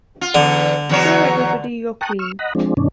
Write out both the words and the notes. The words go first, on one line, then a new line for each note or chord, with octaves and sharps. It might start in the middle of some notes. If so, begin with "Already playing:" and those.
Show everybody you're clean.
F4
E2 D3
E2 F#3 C#5
G5 A5 A#5 C#6 D#6 F#6
C#6 E6 F6
D#5 F#5 A#5 B5
F3 G#3 C4 D4
G2 B2 D#3 C#4 D4